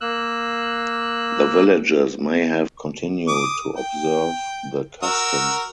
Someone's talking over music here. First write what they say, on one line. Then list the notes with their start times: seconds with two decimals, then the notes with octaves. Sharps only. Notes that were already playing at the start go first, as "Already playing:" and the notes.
The villages may have continued to observe the custom.
0.01 A#3 E6 F#6
3.28 D6 D#6
3.77 G5
5.03 F#4 A#4 E6